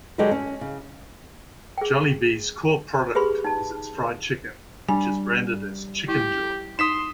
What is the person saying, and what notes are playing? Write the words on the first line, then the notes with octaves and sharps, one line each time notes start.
Jollibee's core product is its fried chicken, which is branded as Chickenjoy.
D3 F#3 G#3 G4 A4 B4
C#4
C#3
G#4 G5
G4 G#4 B4 B5 C6
D#4 A5
G3 D4 G#5
E4 G4
D#4 C6 D#6 B6 E7